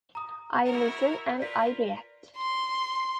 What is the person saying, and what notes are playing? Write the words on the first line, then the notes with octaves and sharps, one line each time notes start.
I listen and I react.
A#5 D#6
E4 F#4 A#4
F4 A#4 B4 D5 B6
C6